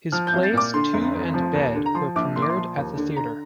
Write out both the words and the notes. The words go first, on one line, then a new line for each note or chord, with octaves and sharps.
His plays "Two" and "Bed" were premiered at the theatre.
F3 F6
G6
C2
A6
A#2 D6
D3 C6
F1
F2
F3
D#2
D3
A#5
F3 C6
A#1 D6
A#2 C6
D6
C6
F3
D#2
D3
D3 A#5